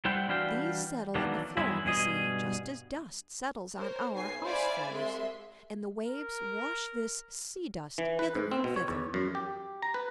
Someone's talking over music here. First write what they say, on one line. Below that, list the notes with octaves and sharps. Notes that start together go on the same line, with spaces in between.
These settle on the floor of the sea, just as dust settles on our house-floors; and the waves wash this "sea-dust" hither and thither.
G3 E4 C5 F#5 G5
E3 G3 D4 F#4 F5 G5
D#3 E3 F#3 A#3 B3 D4
E2 G2 F#3 G#3 E4
G2 B2 G#4 D#5
A#4 C5 C#5
B1 G#5 C7
E4 C5 D5 F5 G#5 B5
C2 G#3 E5 C6
A#4
E3
B4
G#2
C4
B2
C#5
E2
F#2
G4
A#5
B4